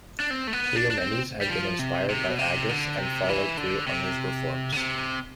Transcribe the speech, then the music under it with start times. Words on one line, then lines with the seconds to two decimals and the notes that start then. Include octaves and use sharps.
Cleomenes had been inspired by Agis and followed through on his reforms.
0.20 D4
0.30 C4
0.47 A3
0.53 B3
0.76 D4
0.90 D4
0.98 C4
1.41 G3
1.49 F3
1.79 C3
2.09 C3
2.28 B2
2.39 C3
2.69 D3
2.98 C3
3.29 E3
3.57 D3
3.87 C3
4.72 D3
4.77 C3